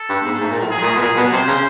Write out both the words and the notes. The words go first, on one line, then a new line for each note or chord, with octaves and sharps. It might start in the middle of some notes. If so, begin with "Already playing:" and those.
On top of that, like,
Already playing: A4
G2
G#2
G#2
A#2
A2
G#4
A#2
B2
A#2 G#4
B2
C3 C5
C#3